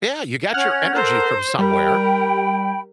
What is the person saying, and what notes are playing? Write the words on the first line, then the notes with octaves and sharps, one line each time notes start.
Yeah, you got your energy from somewhere.
C#4 F#5 F6 G#6
A4 A#4 C5
G3 A#4 G5 B5